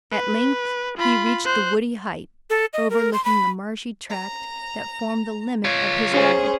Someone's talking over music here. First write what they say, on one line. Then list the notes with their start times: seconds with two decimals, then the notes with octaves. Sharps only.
At length he reached the woody height overlooking the marshy tract that formed the limit of his ride.
0.12 B4
0.98 F4 B5
1.45 C5 F#6
2.50 A4
2.74 D#5
2.90 A#4
3.13 C6
3.25 B5
4.10 A#5
5.65 F4 C#5
6.11 C#4 G#4 C5